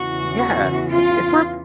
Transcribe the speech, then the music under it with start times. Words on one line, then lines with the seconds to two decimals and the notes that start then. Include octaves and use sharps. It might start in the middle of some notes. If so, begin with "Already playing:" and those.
Yeah, 'cause if we’re
Already playing: E2 C#3 E3 F#4
0.90 F4